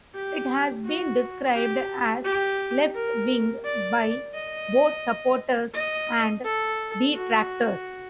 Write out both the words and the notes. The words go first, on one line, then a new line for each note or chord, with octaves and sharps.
It has been described as left-wing by both supporters and detractors.
G4
F#4
G4
G4
A#4
D5
D#5
D#5
A4
F#4